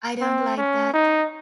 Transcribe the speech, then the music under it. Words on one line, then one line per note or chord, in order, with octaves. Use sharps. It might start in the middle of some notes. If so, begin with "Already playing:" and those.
I don't like that.
C4
C#4
D#4